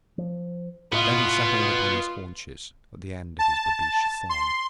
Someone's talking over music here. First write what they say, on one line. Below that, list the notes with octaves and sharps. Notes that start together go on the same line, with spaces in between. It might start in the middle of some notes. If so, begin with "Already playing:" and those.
Then he settled upon his haunches at the end of his babeesh thong.
F3
A2 B3 F4 B4 D#5
A5
C6